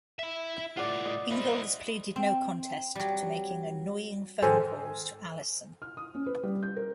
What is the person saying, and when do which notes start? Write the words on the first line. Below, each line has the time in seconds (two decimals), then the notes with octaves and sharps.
Ingels pleaded no contest to making annoying phone calls to Allyson.
0.19 E4 E5
0.77 A2 F4 D5 F#5
1.06 D#5
1.31 E4 C5
2.16 C4
2.95 F#3 G3
4.42 G#2 D#3 A4 C5 G#5
5.82 F6
5.97 D#6
6.15 C#4
6.26 B4
6.43 G3
6.63 G6
6.76 A#4